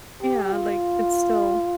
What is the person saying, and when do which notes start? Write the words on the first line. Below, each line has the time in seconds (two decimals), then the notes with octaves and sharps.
Yeah. Like, it's still
0.22 G4
0.53 F4